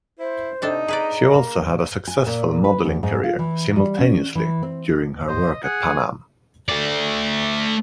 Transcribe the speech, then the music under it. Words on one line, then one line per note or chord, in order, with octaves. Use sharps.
She also had a successful modelling career simultaneously during her work at Pan Am.
E4 C5
C3 D4 D#4 A4 D#5
G#4 B4 D5 A#5
A#3
G#5
A#2
B4
E2
G#2
F4
E3
G3
C#4
E3
C4
C5 D#5
G#4 F#5
A3 D5